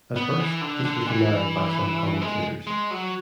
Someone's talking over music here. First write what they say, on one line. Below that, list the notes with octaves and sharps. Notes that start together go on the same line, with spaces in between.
At first, this was denied by some commentators.
B3
E3
D3
D3
E3
G#3
G#3
F#3